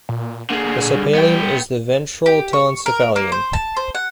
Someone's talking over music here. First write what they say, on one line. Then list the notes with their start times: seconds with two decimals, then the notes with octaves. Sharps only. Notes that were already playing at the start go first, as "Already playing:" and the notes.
The subpallium is the ventral telencephalon.
0.09 A#2
0.50 D3 A#3 G#4
0.77 A#2
0.96 G3
1.14 B3 G5
2.26 G4
2.53 C#6
2.86 A#4
3.16 A#3
3.32 C5
3.53 A5
3.77 C5
3.95 F#5